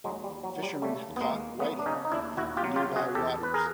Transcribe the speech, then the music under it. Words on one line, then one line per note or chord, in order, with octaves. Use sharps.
Fishermen have caught whiting in nearby waters.
D#2 F#3 G#3
G3
D#2
F#3
F#3
G3
C#3 G3 A3
D#2
B3
G#3 A#3
D#2
F#3 A3 B3
D4
C#3 C#4 D#4
D#4
D#2 D4 E4
D#2 E4 F#4
F4 G4
F#3
F4 G4
C#3
F#4 G#4
E2 G4 A4
E2 B4
G#4 A#4